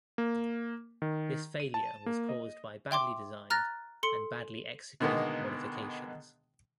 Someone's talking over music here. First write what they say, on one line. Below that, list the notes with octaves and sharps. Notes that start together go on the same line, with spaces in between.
This failure was caused by badly designed and badly executed modifications.
A#3
D#3
D#7
A5
A#3
D#5
E5 G5 C6 D6
A#5 F6 F#6 A6 A#6
A4 C6 C#7
B2 D3 D#3 G#3 A#3 B3